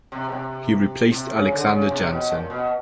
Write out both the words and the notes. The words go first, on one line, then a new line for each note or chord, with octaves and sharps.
He replaced Aleksander Janson.
C3
B2
C3
C3
C#3
D3
C#3
C3
B2
A#2
B2